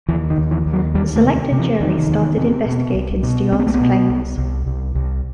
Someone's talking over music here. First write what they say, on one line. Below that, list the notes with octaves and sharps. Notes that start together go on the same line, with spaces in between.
The selected jury started investigating Steorn's claims.
D#2 E3
D#3
D#2
E3
D#2
F#3
E2 G3
A3
C3
C3
E3
E2 D#3
E2
C3
B2
C2
B2
C2 C4
B3
A3
B3
B2
C2
C2
C2
C2